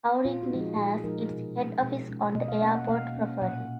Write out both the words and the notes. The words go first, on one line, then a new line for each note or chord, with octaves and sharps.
Aurigny has its head office on the airport property.
A#2 F4
F#4
F3 G#3 D#4
G#4
A#2 G#4
F3 G#3 D#4 A#4
B2
G#3 C#4
B2
G#3 C#4
B2 D#5
F5
A#3 C#4 F#5
F#5
B2 F5
A#3 C#4
A#2 F#5